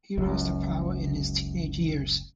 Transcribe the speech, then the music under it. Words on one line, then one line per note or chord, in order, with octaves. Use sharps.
He rose to power in his teenage years.
F#1 C#2 F#2